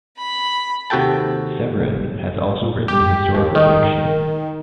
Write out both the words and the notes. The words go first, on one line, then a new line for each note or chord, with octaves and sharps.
Severin has also written historical fiction.
B5
D#2 C3 F#4 A4 G5 A5
G4
D#2
D#3